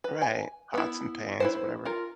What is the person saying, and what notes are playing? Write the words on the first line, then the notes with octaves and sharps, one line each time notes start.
Right, pots and pans or whatever.
B4
G#5
B3 E4
E4 B4 C5
F4 A#4